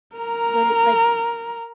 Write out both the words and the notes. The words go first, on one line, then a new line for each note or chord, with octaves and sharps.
but it, like
A#4 A#5